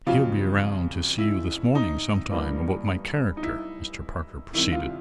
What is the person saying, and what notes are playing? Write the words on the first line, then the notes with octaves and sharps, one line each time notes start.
"He'll be round to see you this morning, sometime, about my character," Mr. Parker proceeded.
F2 C#3 F#3 F4
E4
D#4
G2 E3 G3 A#3
D#4
E4
C2 C3 D#3 E4
F4